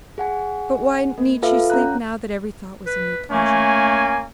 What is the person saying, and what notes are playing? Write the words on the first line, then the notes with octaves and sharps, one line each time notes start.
But why need she sleep now that every thought was a new pleasure?
G#4 F#5 G#5
A#3
F4 A4 B4 E5 F5
C#4 A#5 F#6
B4
A3 A#3 C#4 G#5